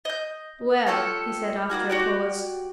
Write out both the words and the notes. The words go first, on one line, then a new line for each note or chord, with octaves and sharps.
"Well?" he said after a pause.
D#5 G6
F4 G4 A4 C#5
A#3 F4 F#4 G#5
F#4 G4 D5